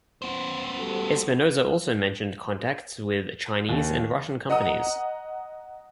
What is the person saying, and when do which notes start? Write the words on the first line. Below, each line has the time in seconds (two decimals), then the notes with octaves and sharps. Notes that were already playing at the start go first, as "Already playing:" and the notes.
Espinoza also mentioned contacts with Chinese and Russian companies.
0.22 B3 C5
0.76 G3 F#4 A4
3.69 D#2
4.50 D#5 F#5 A#5 D#6